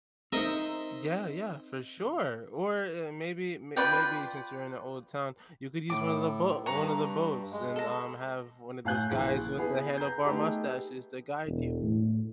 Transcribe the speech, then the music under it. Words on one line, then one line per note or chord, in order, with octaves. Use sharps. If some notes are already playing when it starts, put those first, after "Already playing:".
Yeah, yeah, for sure. Or, eh, maybe may maybe since you're in an old town, you could use one of the bo one of the boats and, um, have one of those guys with the handlebar mustaches to guide you.
C4 D#4 A#4 C5 D#5 E5
F4 B4 D5 G5
A2 D6
G2 B4 A#5 C#6
G#3
A4 A#5
A2 F5 G#5 F#6 G6
A#1 E3 G#4
B3 E4 G#4
A#5 G6
A3 B3 D#4 G4 G#4
E1
A2